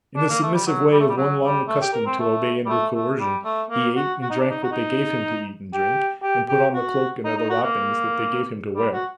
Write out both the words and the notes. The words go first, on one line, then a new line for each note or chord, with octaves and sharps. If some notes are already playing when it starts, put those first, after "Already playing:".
In the submissive way of one long accustomed to obey under coercion, he ate and drank what they gave him to eat and drink, and put on the cloak and other wrappings, that they gave him to wear.
D4
A#3
A3
G3
F#3
G3
A3
G3
F#3
G3
A3
G4
A#4
C4
A3
G3
A3
A3
G3
A3
A#3
F#4
F#4
D#4
D4
D#4
F#4
D#4
G4
G4
G4
F#4
D#4
D#4
F#4
A#3
G3
F#4